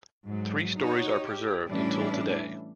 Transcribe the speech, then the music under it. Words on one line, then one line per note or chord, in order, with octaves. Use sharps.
Three storeys are preserved until today.
G#2 F#3
D#4 F#4 C#5
G4
A2 E3 G3 C#4 D4 E4